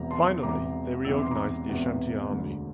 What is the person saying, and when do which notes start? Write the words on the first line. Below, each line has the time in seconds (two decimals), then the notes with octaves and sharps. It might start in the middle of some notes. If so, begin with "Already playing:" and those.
Finally, they reorganized the Ashanti army.
Already playing: E1 E2 C3 E3 A#5
0.11 A5 C6
0.42 E1 E2 C3 E3 A#5 D6
1.05 E1 E2 C3 E3 E6
1.14 D6
1.22 C6
1.30 A#5 D6
1.68 E1 E2 C3 E3
2.30 E1 D2 D3